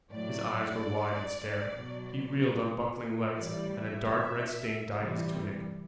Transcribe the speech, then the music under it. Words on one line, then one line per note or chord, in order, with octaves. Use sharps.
His eyes were wide and staring; he reeled on buckling legs, and a dark red stain dyed his tunic.
A2 F#3 D5
B2 F#3
A2 E3 G3 D5
E5
C3 E3 G3